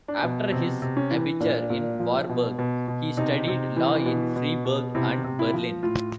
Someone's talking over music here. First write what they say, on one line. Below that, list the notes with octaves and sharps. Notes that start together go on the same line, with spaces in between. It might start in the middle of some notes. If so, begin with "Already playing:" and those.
After his "Abitur" in Warburg he studied law in Freiburg and Berlin.
D4
B2
C3 C4
C3
C#4
E3
A#2 D4
A#2
F3
B2
B2
B2
C3 D#4
C3
E3
B2
B2
B2
C3 E4
C3
E4
F3
A2 F4